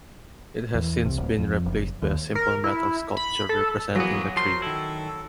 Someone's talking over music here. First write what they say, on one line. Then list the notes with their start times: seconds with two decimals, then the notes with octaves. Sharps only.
It has since been replaced by a simple metal sculpture representing the tree.
0.75 E2
1.06 C2
1.18 D1
1.38 F2
1.66 F#1
2.02 D#2
2.35 A#4
2.64 E4
3.17 B5
3.49 A4
3.95 E3 F#3 A#3 B3 G#4
4.36 F3 A#4 C5 A5 C6
4.62 D#3 E4 A4